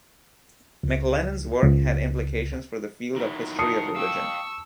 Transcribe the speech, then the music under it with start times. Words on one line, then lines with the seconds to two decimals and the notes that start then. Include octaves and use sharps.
McLennan's work had implications for the field of history of religion.
0.83 C#2
1.63 C#2
3.16 D#3 F#3 E4
3.59 A#4 A5 D#6 C7 C#7
3.96 F5 G5 C#6 E6